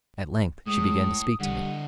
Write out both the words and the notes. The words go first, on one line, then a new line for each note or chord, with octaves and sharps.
At length she began to speak to me.
A2 G#3 D#6
D3 G3 D#5 F#5